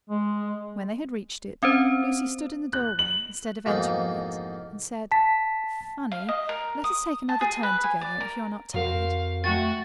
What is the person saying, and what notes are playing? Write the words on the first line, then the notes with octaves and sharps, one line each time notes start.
When they had reached it, Lucy stood in the doorway instead of entering it, and said, "Fanny, let us take another turn together, if you are not tired."
G#3
C4 C#4 C5
F#6
F#7
F2 G#2 B2 E3 A#3 D#4
A5 B6
F5
D#5
A#4
D#6
A5
G#4
B4
G#5
D5
A#4
F2 F#4 A#4 C5 F5
A3 F#4 E5 G5 C#6 A6